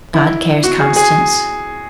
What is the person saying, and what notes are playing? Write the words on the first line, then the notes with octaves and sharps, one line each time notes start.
"God cares, Constance."
E4
F#4
G#4
G#4